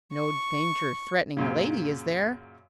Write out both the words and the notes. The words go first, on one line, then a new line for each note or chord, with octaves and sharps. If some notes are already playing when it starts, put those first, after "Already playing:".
"No danger threatening the lady, is there?"
C#6
F#2 A#2 C#3